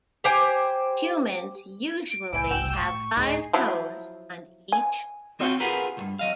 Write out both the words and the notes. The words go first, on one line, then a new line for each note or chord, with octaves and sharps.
Humans usually have five toes on each foot.
G4 C5 G5 G#5
D7
C2 A2 E3 E4 G#5 E6 G6 D7
F#1 C2 F#4 G5 E7
A2 C#6
D2 A2 D#4 G#4 C7
F3 F#3 E4
G#5
C4 F4 F#4 C#5 E5 G5
F4 G4 G#4 A#4 B4 F#5
C#2 G2
F#3 D#5 F5